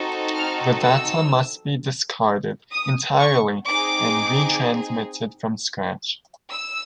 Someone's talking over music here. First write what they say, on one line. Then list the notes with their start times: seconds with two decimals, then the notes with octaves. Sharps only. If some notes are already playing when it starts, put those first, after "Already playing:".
The data must be discarded entirely, and re-transmitted from scratch.
Already playing: C4 D#4 F#4 A4
0.34 F6
0.81 E6
2.72 D#6
3.19 C#6
3.66 C4 D#4 G#4 D6
6.52 E6